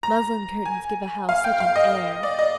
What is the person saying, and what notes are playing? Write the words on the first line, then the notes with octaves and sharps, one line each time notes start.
Muslin curtains give a house such an air.
A#5
G#5
F5
G5
F5
D#5
D5
D#5